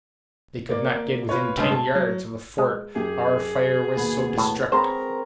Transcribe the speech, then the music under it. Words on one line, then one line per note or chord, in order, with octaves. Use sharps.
They could not get within ten yards of the fort, our fire was so destructive.
A#3 D5
F4 B4 C#5
D2 G2 B2 G#3
A5
F#3
G#3
F#2 G4 G#4
D#2 B2 B3
A2
C4 G#4 A#4 C5 A#5 B5 C#6